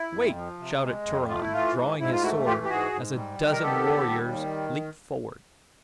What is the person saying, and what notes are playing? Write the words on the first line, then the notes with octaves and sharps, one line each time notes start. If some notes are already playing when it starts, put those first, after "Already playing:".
"Wait!" shouted Turan, drawing his sword, as a dozen warriors leaped forward.
Already playing: E4
F2
F3
C3
G#3
F2
A3 F4
E4
E3 F4
G#2
G#2 E4
F4
A3 E4 F#4
E3 F4 G4
G4
G#2 F#4 G#4
G#2
G3
D#3
A#4
B3 G4 A4
D#2
G3
D#3